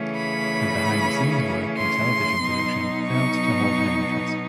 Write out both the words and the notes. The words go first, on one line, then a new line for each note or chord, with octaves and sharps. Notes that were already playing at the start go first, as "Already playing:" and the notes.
Her behind-the-scenes work in television production failed to hold her interest.
Already playing: C#3 E3 A3 C#4
B5
C6
B2 F#3 B3 D#4
C#6